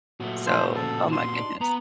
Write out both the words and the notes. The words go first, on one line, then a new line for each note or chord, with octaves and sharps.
So Oh my goodness.
A#2 F#3 A3 F#4
F3 C5
A2 C#3 F3 A4
C6
D4 D#4 D5
B3 A#5